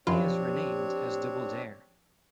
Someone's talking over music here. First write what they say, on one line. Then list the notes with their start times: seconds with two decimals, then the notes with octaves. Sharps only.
He is renamed as Doubledare.
0.07 F#2 F3 C4 D4 F4 G4 C#5